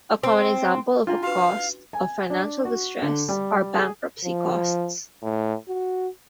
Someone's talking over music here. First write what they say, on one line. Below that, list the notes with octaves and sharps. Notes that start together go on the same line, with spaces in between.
A common example of a cost of financial distress are bankruptcy costs.
C4
C#4 D4 E4 F4
F#4 B4 F5
G#5
D4
F#4
D3
G3
G#4
F3
A2
F#4